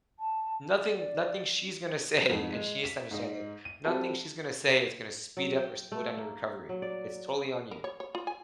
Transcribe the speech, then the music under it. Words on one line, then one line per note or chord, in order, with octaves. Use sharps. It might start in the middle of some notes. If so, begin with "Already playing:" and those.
nothing nothing she's gonna say, and she needs to understand that nothing she's gonna say is gonna speed up or slow down your recovery. It's totally on you.
A5
D5
D5
F2 G#2
G#3
B6 E7
G#2 D#4
D#7
G3 C4 F4 F#4 A4
F#3
G5
A3
A#3
F#3
D5
A#4
C#5
C#5
F4
G#5